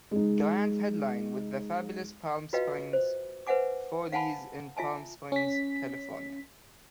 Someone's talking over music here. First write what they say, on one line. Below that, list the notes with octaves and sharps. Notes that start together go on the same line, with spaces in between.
Grant headlined with The Fabulous Palm Springs Follies in Palm Springs, California.
G#3 D#4
F4 F#4 B4 D#5 F5 G5
C5
B4 C5 E5 F#5 G#5 D6
F5 F#5 G#5 A5 B5
F4 E5 G#5 A5
C#4 B6